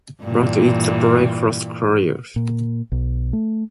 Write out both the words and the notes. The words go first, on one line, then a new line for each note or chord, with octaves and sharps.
But it's a breakfast cereal!
G2 A#2 E3
A#2
B1
A3